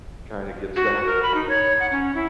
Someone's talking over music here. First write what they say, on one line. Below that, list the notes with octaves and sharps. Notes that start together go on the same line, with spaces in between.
kinda gets that
F#4
A#4
B5
D#4
C#5
F#5
C#4
E4